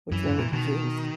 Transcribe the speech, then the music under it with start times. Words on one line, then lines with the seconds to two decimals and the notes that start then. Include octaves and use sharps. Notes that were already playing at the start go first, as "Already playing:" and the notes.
Which one would you choose?
0.11 F#2 E3
0.25 G#2
0.38 A#2
0.53 B2 D#3